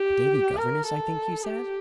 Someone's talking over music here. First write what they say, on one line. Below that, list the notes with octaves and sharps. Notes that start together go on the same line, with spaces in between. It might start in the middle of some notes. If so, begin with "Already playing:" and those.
"A daily governess, I think you said?"
Already playing: G4
A#4
A4
G4